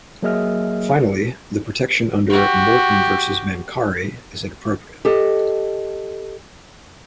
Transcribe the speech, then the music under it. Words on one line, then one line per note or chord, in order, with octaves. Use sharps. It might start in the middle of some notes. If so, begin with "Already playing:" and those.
Finally, the protection under "Morton versus Mancari" is inappropriate.
F#3 A#3 G#4 D#5 E5 F6
F#4 G4
G4 A4 D#5